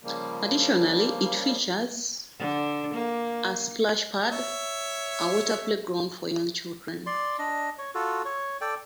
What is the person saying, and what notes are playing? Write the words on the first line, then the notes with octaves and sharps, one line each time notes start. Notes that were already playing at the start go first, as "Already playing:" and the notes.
Additionally it features a "splash pad", a water playground for young children.
C#3 F3 G3 A#3
D3
A#3
C#5 E5
D5 C6
D4 D#5
C#5
F4 F#4 A4
C#5
A4 D5 G5